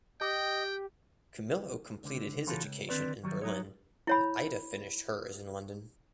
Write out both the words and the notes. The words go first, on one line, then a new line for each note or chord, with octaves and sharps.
Camillo completed his education in Berlin and Ida finished hers in London.
G4 D#5 G5
C#2 D3
C#3 E3 F4 F#4 A4
C#2
D3 D#3 C4 B4 D5
D#3 F#3 G3
F#3 D#4 C#5
E4 C#5 B5